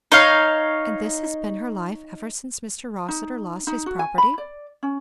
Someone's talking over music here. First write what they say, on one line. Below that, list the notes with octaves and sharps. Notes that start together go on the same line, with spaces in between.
"And this has been her life ever since Mr. Rossitur lost his property?"
D#4 C#5 F5
D#4
D#4
F#4
G#5
B5
D5
C#4